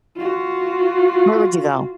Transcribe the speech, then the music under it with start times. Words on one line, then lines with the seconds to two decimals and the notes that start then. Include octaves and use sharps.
Where would you go?
0.16 F4 F#4